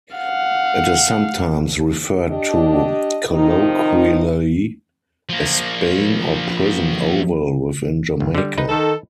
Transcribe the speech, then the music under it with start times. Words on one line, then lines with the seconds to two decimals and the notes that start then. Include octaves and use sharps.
It is sometimes referred to colloquially as "Spain" or "Prison Oval" within Jamaica.
0.16 F5 F#5
2.29 D4 G4 D#5
3.31 C3 D#3 F3 D#4
5.29 F3 A#3
8.20 G1
8.35 D3 G3
8.58 D#4 B4
8.69 D#3 A4